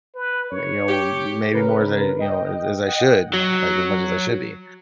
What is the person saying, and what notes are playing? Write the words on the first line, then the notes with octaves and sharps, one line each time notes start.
you know, maybe more as I, you know, as as I should, like, as much as I should be,
B4
C#5
G4
C#3 A#4 B4
D#5 G5
D#5 F#5 G5
F#3